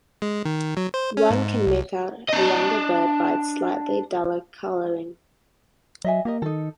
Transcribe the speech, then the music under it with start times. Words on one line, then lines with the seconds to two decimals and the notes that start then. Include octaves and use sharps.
One can make out a younger bird by its slightly duller coloring.
0.22 G#3
0.45 D#3
0.77 F#3
0.94 C5
1.17 C#4
1.30 G#2
1.67 C2
2.29 D4 D#5
6.05 F#3 D#5 E5 G#5
6.25 A#3 G4 A#4 D#5
6.42 D#3 D#4 A4